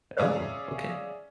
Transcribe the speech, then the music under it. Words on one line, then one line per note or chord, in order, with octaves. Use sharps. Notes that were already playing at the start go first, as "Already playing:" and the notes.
Oh, okay.
C#4 G#4 C#5 D5 E5 F5